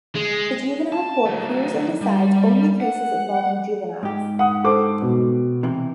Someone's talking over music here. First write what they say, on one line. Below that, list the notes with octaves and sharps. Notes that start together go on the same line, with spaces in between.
The Juvenile Court hears and decides only cases involving juveniles.
G#3
A5
F#3 A3
G3
F#5
G#2 G4
F#5 D#6
A4 C5 D6
B2
C3 E3